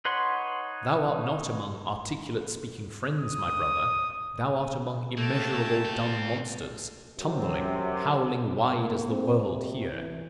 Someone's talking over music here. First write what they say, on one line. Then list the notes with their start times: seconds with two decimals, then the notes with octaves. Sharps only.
Thou art not among articulate-speaking friends, my brother; thou art among immeasurable dumb monsters, tumbling, howling wide as the world here.
0.05 D#4 B4 C#5 F#5 C6
3.19 D#6
5.17 A3 A#3 G4 A5
5.85 C4 F4
7.18 F#2 C3
8.73 A#3
9.08 C4
9.45 C3
9.93 E3